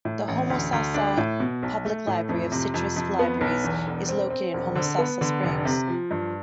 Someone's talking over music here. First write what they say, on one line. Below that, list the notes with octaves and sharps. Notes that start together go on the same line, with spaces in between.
The Homosassa Public Library of Citrus Libraries is located in Homosassa Springs.
A2
A1
D2
D2
D4
A2
B2
B1
A3
A2
F2
C3
F2
F2
B3
B1
E2
E1
C4
C4
E1
D3
B3
D3
F1
C3
F3
G2